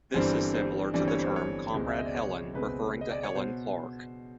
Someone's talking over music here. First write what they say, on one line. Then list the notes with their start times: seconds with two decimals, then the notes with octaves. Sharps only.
This is similar to the term "Comrade Helen", referring to Helen Clark.
0.14 G1 G2 E3 G3 C4 C5
0.54 C5
0.94 G1 G2 E3 G3 C4 D5
1.08 C#5
1.22 C5
1.36 C#5
1.74 C#2 B2 G#3 C4
1.89 E5
1.97 D#5
2.06 D5
2.15 C#5
2.54 C#2 B2 G#3 C4 B4
3.01 D#5
3.12 D5
3.23 C#5
3.35 B2 C5